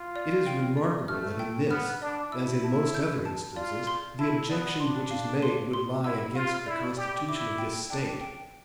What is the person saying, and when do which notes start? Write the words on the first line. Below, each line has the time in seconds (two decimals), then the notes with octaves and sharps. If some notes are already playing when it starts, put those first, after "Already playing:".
It is remarkable that in this, as in most other instances, the objection which is made would lie against the constitution of this State.
Already playing: F4
0.16 D5
0.47 G5
0.77 D5
1.08 A3 F6
1.39 G5
1.70 B3 F6
2.01 D4 D5
2.32 E4 E6
2.64 A5
2.94 G6
3.25 A5
3.56 F4 D5
3.87 C6
4.18 E4 A5
4.49 B3 D5
4.80 D4 C6
5.11 F5
5.42 C6
5.73 C6
6.04 E4 E6
6.35 F4 F5
6.66 E4 D5
6.97 G4 D5
7.28 E4 D6
7.58 G5
7.90 D4 G5
8.21 G5